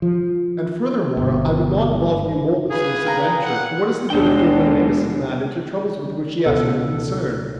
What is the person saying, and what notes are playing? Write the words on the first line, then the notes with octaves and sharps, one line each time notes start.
And furthermore, I would not involve Eumolpus in this adventure, for what is the good of getting an innocent man into troubles with which he has no concern?
F3
G1 B2
G#4 B4 F5
G5 A#5
F#5
D#2 B2 G#3 D4 G5
C#2 B2 A4